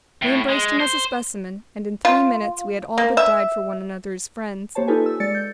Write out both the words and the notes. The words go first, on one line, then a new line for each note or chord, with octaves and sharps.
We embraced him as a specimen, and in three minutes we had all but died for one another as friends.
A2
G#3
C5
F4
A#3
E5
A#3 G4 C5 C#5 A5
D#4 F4 G4 A4 B4 G#5
E6
G#3 D5 A6 C#7
G6